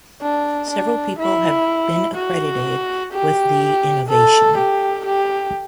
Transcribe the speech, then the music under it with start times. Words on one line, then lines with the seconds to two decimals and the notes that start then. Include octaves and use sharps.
Several people have been credited with the innovation.
0.22 D4
0.71 D4
1.19 E4
2.16 F#4
3.13 G4
4.09 A4
4.58 G4
5.06 G4